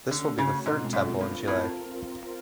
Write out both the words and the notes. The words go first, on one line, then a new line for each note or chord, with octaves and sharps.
This will be the third temple in Chile.
D3 A3 C#4 F#4
C#3
G#2 B2 G#3 C4 F4 A4
F#2
G2 C4 F4 A#4
A2